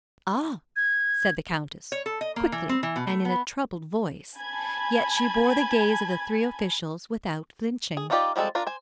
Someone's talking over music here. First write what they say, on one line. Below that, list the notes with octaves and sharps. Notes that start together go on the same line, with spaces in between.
"Ah!" said the Countess, quickly and in a troubled voice, yet she bore the gaze of the three officials without flinching.
G#6
C#5
A4
D#5
A#3
E3
C4
E3
B2
A3
B3
G#5 A5 B5 G#6
G#4
D4 D#4 F4 G4 D5
F3 G3 G#3 C4 A4
D4 F4 A#4
C5 G#5